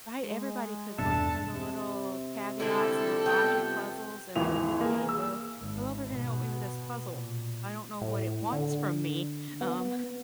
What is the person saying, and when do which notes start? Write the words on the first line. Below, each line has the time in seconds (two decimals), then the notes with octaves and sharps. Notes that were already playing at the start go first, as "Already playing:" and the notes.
Right, everybody could look for the little caveats and the logic puzzles, and I could be like, "Hey bro, come over here and help me with this puzzle. I don't know what it wants from me, um."
0.23 G#3
0.98 E2 G2 B2 D4 A4 E5 A5
1.54 C3
2.60 D3 G3 G#3 E4 A4
3.26 F3 B3 G5
4.36 G#1 D#2 E3 E4 F7
4.81 A#3 G#4
5.09 E6
5.59 G#1
6.10 B2
7.07 A#2
8.01 A2
8.52 D3
9.61 B3